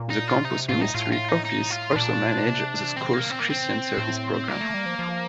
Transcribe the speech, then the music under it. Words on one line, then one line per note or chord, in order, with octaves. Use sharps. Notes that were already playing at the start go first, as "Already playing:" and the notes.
The Campus Ministry office also manages the school's Christian Service program.
Already playing: A#2
D#4
F4
C3 D#4
A2 F4
D#4
A2 F4
F4
D#4
D#4
F4
A#2 D4
C3
A#2 C4
A#3
C4
A#3
A2 C4
A2
G3 A#3
A3
G3
F3
F3